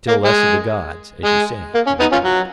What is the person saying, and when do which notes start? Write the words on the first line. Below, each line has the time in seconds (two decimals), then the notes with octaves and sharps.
Still less of the gods, as you say, he replied.
0.08 A#3
0.25 G#3
1.25 G#3
1.75 A#3
1.87 C#4
2.00 B3 D#4
2.12 C#4 F4
2.24 F#3